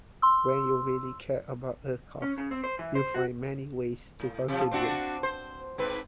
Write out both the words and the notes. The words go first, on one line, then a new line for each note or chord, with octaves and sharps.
When you really care about a cause, you find many ways to contribute.
C6 E6
C#4
C#3
C4
C5
E3
C5
F#4
A2
C3 F3
C4 D4 F#4
C5
G#2 C4 B4